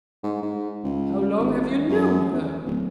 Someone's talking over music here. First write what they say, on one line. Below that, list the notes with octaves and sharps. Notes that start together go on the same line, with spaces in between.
"How long have you known her?"
G#2
G#2
C#2
G#1
E2
F#2
E2
D1